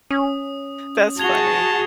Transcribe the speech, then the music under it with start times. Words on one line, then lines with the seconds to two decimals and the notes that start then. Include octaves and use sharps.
that's funny,
0.11 C#4 D#6
1.19 F#4 G#4 A5 G#6 F7 G7